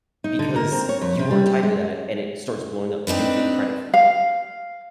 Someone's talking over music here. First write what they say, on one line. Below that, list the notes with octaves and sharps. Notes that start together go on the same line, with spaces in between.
because you are tied to that and it starts blowing up, you get credit for that
D#4
D3
A#4
C4
C#5
F2
C3
G3
G4
G#3
C4 D4 D#4 B4
F5